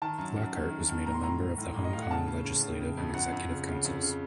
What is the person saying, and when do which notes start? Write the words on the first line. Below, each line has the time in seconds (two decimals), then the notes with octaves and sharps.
Lockhart was made a member of the Hong Kong Legislative and Executive Councils.
0.02 D#3 A5
0.18 F#2
0.36 F#2
0.54 D#3
0.71 D#3
0.89 D#3
1.06 A2 A#5
1.14 C6
1.23 A2 A#5
1.40 A2
1.58 A2
1.76 A2
1.84 D#5
1.93 A2 F5
2.02 F#5
2.11 C#3 A5
2.27 C#3
2.45 C#3
2.63 C#3
2.80 C#3
2.97 F2
3.14 F2 F#5
3.32 F2
3.50 C#3
3.67 C#3
3.85 F2
4.02 C#3